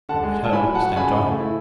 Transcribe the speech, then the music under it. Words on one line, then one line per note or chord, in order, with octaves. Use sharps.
The White Hope slept on.
D3 F#5 A5
G#3
G#3 A5
A2 G#5 B5
F#3
F#5 A5
F#3
C#3 G#5 B5
C#3
A3
E4